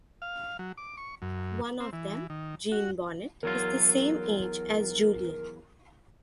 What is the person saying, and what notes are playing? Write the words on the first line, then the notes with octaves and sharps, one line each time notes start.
One of them, Jean Bonnet, is the same age as Julien.
F5
F#3
D6
C#6
F#2
C4
E3
D#3
F#4
E2 F#3 F4 A#4